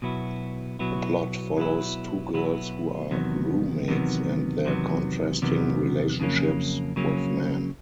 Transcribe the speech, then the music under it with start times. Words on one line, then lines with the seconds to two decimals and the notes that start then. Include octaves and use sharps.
The plot follows two girls who are roommates and their contrasting relationships with men.
0.02 B2 F#3 B3 E4
0.79 B2 F#3 B3 E4
1.57 B2 F#3 B3 E4
2.33 B2 F#3 B3 E4
3.11 E2 C3 D#3 F#3 B3
3.88 E2 C3 D#3 F#3 B3
4.65 E2 C3 D#3 F#3 B3
5.42 E2 C3 D#3 F#3 B3
6.20 F2 C#3 F#3 A#3 C#4
6.96 F2 C#3 F#3 A#3 C#4